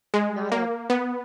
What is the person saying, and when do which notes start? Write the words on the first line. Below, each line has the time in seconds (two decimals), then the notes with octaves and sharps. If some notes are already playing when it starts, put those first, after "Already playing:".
not a
0.14 G#3
0.52 A#3
0.90 B3